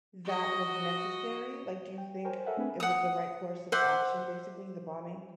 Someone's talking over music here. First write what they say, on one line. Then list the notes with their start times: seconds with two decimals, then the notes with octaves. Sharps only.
that was necessary? Like, do you think it was the right course of action, basically, the bombing?
0.25 F#4 D#5
1.98 G5
2.25 A#4 C5 C#5 G5 G#5
2.46 A4 A#4 E5 F#5 G#5
2.57 A3 C4 D4 G#4 B4 G#5
2.80 F#5 D#6
3.72 C5 E5 F#5 D6